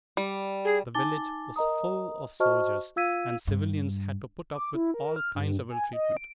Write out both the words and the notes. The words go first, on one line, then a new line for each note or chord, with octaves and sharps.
The village was full of soldiers, and civilians had to put up with all kinds of ill-treatment.
G3
G#4
D#4 G#5 A5 D6 A6 G7
A#4 D#5 A#5 D#6
F#4 C5 D#5 A5 C#6 F6
F4 F5 E6 G#6 B6 D#7
G2
D6
E4
A#4
F6
G2
G#5
D#5
D7